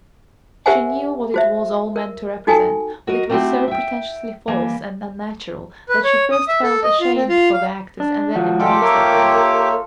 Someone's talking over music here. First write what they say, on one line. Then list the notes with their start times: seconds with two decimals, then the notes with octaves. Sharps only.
She knew what it was all meant to represent, but it was so pretentiously false and unnatural that she first felt ashamed for the actors and then amused at them.
0.66 G4 A#4 C5 E5 F#5 G#5
1.34 F#4 C5 E5
1.96 A#4
2.47 D#4 F#4 A4 G5 G#5
3.07 F#4 A#4 D#5
3.29 A3 C4 D4 E4 F#4 G4
3.68 E5 G5
4.48 E3 G3 A#3
5.89 B4
6.04 C#5
6.32 D#6
6.48 E5
6.63 A4
6.83 D#5
7.00 F4
7.16 C4
7.29 F4
7.53 F5
8.00 D4
8.35 F3 F#4
8.60 C3 G3 G#3 F4 G4 A4 G5 D6
8.82 A#3 A#4 C#5 E5